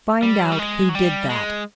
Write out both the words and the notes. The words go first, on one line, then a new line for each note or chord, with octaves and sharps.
"Find out who did that."
G3
F#3
G3
G#3
F#3
G3
G#3